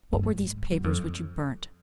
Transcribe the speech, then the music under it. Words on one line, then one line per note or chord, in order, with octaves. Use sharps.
"What were these papers which you burnt?"
G2
G#2
F#2
F2